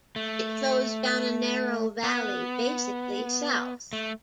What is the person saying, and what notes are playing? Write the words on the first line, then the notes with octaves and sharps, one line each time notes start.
It flows down a narrow valley, basically south.
A3
B3
A3